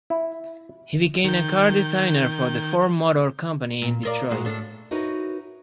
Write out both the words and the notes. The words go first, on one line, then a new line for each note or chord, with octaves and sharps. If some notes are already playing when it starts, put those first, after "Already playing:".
He became a car designer for the Ford Motor Company in Detroit.
E4
D#3 G6
A#2
F4 A#4 D5
A#2 G#3 F#4
A2 D4 A4
D#4 E4 F#4 A#4 B4 C#5